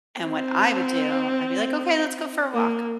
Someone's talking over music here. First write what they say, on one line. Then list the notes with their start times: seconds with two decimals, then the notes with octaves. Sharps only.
And what I would do, I'd be like, "Okay. Let's go for a walk."
0.20 C4
2.54 A#3